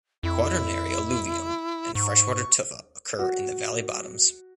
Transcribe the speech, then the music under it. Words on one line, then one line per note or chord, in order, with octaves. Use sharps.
Quaternary alluvium and freshwater tufa occur in the valley bottoms.
F2 E4
G#2 C#6
F#4